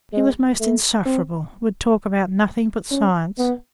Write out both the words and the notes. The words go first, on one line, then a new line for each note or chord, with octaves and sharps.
He was most insufferable; would talk about nothing but science.
G#3
A3
C4
C#4
B3